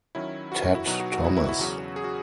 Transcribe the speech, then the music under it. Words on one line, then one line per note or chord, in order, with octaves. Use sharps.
Ted Thomas.
D#3 F#3 C#4 E4
F#4
F#4
E4
B2 F#3 B3 D#4 F#4
F#4
F#4
E4
E4
E4
E2 C#3 F#3 C#4 F#4
G#4
F#4